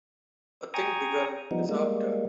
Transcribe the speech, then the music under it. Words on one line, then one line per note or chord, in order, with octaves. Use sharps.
A thing begun is half done.
G5 G#5 A#5 C#6 D#6
F3 G3 B3 D#4
G3 G#3 A#3